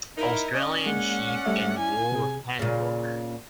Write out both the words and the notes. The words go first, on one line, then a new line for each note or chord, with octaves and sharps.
Australian Sheep and Wool Handbook.
D#4 E4 A#4
C#4 D5 D#5
G#3 A#3 F#5
G3 A3 E5
E4 G#5
C3 G#4
A#2 C#3